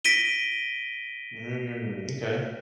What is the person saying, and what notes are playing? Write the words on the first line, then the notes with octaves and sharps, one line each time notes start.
Mm, okay.
A#6 B6 D7 D#7 G7